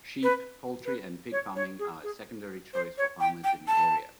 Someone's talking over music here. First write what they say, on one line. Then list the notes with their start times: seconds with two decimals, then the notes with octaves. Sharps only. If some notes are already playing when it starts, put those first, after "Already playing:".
Sheep, poultry and pig farming are a secondary choice for farmers in the area.
0.23 B4
0.85 B4
1.32 C#5
1.56 C#5
1.79 G#4
2.03 G#4
2.74 C5
2.98 C#5
3.20 G5
3.44 G5
3.68 A5